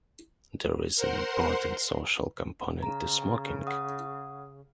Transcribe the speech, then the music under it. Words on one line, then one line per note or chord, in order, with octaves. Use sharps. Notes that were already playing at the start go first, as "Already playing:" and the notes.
There is an important social component to smoking.
A#4 C5 F#5 C6
C#3 A#5
F#5 D#6